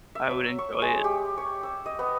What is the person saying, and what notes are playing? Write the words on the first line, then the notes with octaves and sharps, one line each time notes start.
I would enjoy it.
E5
F#3
C#6
G#3
G4
C#5
E6
D#5
B3